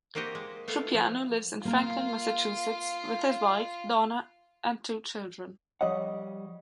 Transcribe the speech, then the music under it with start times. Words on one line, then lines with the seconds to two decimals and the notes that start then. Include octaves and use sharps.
Trupiano lives in Franklin, Massachusetts, with his wife, Donna, and two children.
0.15 A#3 C4 F#4 G4 D#5
0.35 G#3
0.68 A3 B3 A4 F5
0.94 F3
1.65 A#3 F4 A#4 F5
5.81 F3 G3 C#5 D#5 F#5 D#6